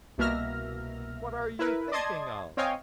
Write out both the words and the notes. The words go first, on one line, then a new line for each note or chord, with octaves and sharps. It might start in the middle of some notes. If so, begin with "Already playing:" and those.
'What are you thinking of?'
C2 B2 A#3 E5 F6 A#6
E4 A#4 B4
D5 D#5 A5 C6 D#6 G#6
C4 C#5 D#5 F5 G5 G#5